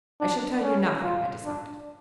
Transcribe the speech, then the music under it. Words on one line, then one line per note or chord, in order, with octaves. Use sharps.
"I shall tell you nothing," I decided.
D4
C#4
F4
D4